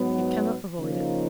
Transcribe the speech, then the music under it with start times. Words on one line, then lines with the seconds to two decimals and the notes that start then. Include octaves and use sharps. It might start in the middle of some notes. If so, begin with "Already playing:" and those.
You cannot avoid it.
Already playing: G#2 F#3 B3
0.79 C#3 F3 A#3 D#4